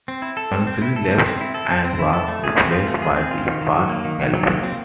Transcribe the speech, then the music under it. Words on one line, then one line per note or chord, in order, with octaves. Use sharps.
Ansley left and was replaced by Pat Calpin.
C4
E4
A4
C4
C4
E4
A4
C4
C4
E4
A4
C4
C4
E4
A4
A3
G#4
C4
F4
A3
G#4
C4
F4
D#3
D#3
F#3
A#3
D#3
D#3
F#3
A#3
C4